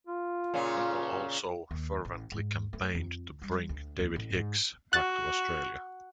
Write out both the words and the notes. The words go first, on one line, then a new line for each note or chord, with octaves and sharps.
Nettle also fervently campaigned to bring David Hicks back to Australia.
F4
A#2 C#3 C#4
D#2
A1
G#2
A3
F2
G3
D2
D#2
A1
G#2
F#4 F#6 A6